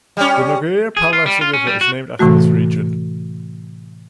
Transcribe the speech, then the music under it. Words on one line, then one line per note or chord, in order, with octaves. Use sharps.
The Noguera Pallaresa river is named after this region.
G3 C#4
G#4
F4
G3
F4
C#4
G3
F#4
A2 C3 E3 A3 F#4